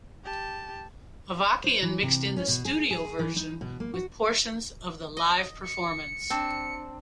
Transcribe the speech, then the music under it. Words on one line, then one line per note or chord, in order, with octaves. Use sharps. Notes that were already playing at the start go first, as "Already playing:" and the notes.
Avakian mixed in the studio version with portions of the live performance.
G4 A5
C5
E3
C3
C#4
B2
G#4
G#4
E3
D#4
B2
A#3
F#4
D#5
C#7
C4 D4